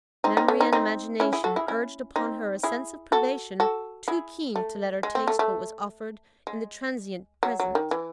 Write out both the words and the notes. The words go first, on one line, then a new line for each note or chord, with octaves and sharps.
Memory and imagination urged upon her a sense of privation too keen to let her taste what was offered in the transient present.
C4 D#4
C4 D#4
A3 C#4
C4 D#4
C4 D#4
C#4 E4
E4 G#4
F#4 A4
E4 G#4
C#4 E4
C4 D#4
E4 G#4
F#4 A4
F#4 A4
E4 G#4
A3
G#3
C4
A3
A3
G#3
F#3
F#3
D#3
E3